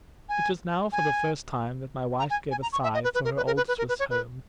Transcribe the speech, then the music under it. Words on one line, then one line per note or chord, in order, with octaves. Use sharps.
It was now for the first time that my wife gave a sigh for her old Swiss home.
G#5
G#5
A#5
G#5
G#5
A#5
C#6
E5
D#5
B4
B4
A#4
B4
A#4
B4
B4
A#4
B4
C#5
B4